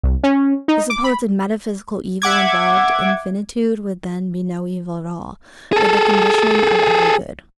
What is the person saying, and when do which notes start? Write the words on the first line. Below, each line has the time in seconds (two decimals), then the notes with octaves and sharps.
The supposed "metaphysical evil" involved in finitude would then be no evil at all, but the condition of every good.
0.03 C2
0.23 C#4
0.68 D#4
0.90 D6
1.04 B5
2.22 E5 F#5 D6 G#6
5.73 G#4 A4